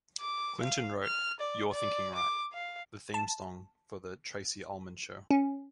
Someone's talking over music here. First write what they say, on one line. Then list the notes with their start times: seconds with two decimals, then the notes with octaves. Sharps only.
Clinton wrote "You're Thinking Right", the theme song for "The Tracey Ullman Show".
0.20 D6
0.61 F5
1.03 F6
1.40 D5
1.72 D5
2.16 D6
2.53 F5
3.14 A5
5.31 C#4